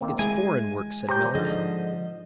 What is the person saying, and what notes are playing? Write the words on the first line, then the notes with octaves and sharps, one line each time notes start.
"It's foreign work," said Melick.
D#3 A#3 C4
G#3 E4 G#4 G#5
G4 C5 C#5 A#5 G6
G#2 D3 F3 D#5